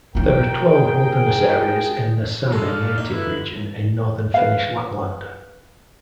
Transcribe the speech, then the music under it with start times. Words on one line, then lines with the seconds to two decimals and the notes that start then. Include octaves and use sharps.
There are twelve wilderness areas in the Sami native region in northern Finnish Lapland.
0.15 F#3 F4 A#4 G5
0.65 G#4
2.53 G#3 A4
2.65 D#4 D5 F5
2.98 A#3 D#4
3.12 D3 E4 B4
4.34 B4 F5